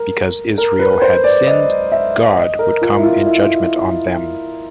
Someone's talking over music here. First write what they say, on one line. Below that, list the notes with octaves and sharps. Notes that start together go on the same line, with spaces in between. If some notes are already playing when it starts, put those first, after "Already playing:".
Because Israel had sinned, God would come in judgement on them.
Already playing: A#4
A#4
B4
C5
D5
D#5
E5
D#5
A#4
F4
E4
F4
E4